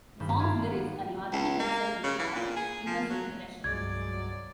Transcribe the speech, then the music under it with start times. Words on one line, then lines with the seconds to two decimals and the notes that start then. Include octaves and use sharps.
The song's lyrics are largely concerned with class, inner-city pressure.
0.20 G#1 G2 C5 B5
0.39 D5 E5 F5 G#5 G#6
0.64 B3
1.33 C#2
1.60 A#3
2.04 C#3
2.19 E3
2.35 A#2
2.57 G#4
2.86 F3
3.10 F#3
3.64 C2 G2 A#2 F#3 G#3 D5 G#6